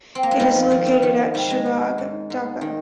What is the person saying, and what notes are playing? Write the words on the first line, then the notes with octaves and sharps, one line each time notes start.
It is located at Shahbag, Dhaka.
C4
A#3
G#3
G#2 G3
F3
D#3 F3
G3
D#3 F3
G#2 G3
G#3
G#2
G#2
G#2
D#3